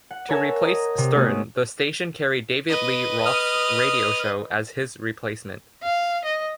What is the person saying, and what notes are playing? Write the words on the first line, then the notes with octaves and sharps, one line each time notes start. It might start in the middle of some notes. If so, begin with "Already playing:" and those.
To replace Stern, the station carried David Lee Roth's radio show as his replacement.
F#5
A#4 B4 C#5 E5 G#5 A5
D#5 A#5
C3
A3 B3 C#4 D#4 F#4 G#4
B4 D#5
D#6 F6
F5
D#5